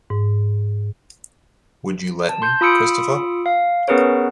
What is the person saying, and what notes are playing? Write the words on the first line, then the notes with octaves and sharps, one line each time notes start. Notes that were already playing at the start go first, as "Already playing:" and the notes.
Would you let me, Christopher?
G#2
A5
C6 G6
F4 B5 D#6 E6 C#7 D7
F5
B3 C#4 G#4 A#4 B4 C#5